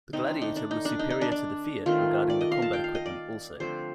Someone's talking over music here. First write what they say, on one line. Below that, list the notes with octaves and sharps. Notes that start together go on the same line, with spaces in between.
The Gladiator was superior to the Fiat regarding the combat equipment also.
D3 A3 C4 D#4
D4
D#4
D4
D#4
D4
D#4
D#4
D4
D4
D#3 A3 C4 F4
D5
D#5
F5
A5
G5
F5
D#5
D5
D3 F3 A3 C4 C5